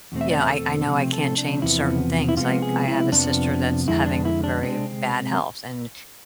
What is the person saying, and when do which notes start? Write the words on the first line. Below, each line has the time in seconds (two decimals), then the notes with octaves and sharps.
you know, I I know I can't change certain things. Like, I have a sister that's having very bad health, and,
0.12 E2 B2 A3 C4
0.21 E5
0.31 D5
0.41 E5
0.50 A4
0.87 C3 F3 A3 C4
1.13 A4
1.38 D4
1.62 E2 C3 F3 B3 E4
2.29 E4
2.37 C3 F3 G#3 B3 F4
2.62 G#4
2.88 E4
3.12 F2 C3 F3 B3 D4
3.88 F2 D3 G#3 E4
4.06 D4
4.25 E4
4.44 D4
4.63 C3 G#3 C4 D4